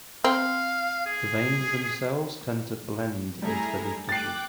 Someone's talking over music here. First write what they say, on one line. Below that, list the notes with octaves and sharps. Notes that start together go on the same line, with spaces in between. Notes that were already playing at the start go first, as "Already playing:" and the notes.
The veins themselves tend to blend into the leaf tissue.
C4 F5
G#4
G3 A3 E4 G#4 A#5
G5 D6 F#6 A6 C7